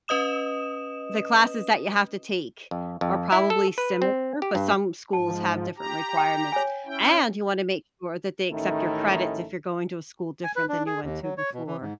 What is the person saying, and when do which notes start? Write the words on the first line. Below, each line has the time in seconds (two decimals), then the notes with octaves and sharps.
the classes that you have to take are probably similar, but some schools have different requirements, and you wanna make sure that they accept your credits if you're going to a school different than you went to before.
0.08 C#4 B4 D#5 D#6 E7
2.71 F2
3.01 F2
3.32 E4
3.50 A4
3.78 B4
4.02 C4
4.42 G4
4.55 G2
5.13 G#2 F3 A5
5.77 G4 A#5
6.17 G5
6.52 C#5 G#5
6.85 C#4 E4 G5
8.51 A1 D#3 A3 C#4 D#4 E4
10.44 G#5
10.56 B4
10.69 D4
10.87 G#4
11.04 D#2
11.23 F#3
11.37 C#5
11.53 B2
11.67 E3
11.82 G#2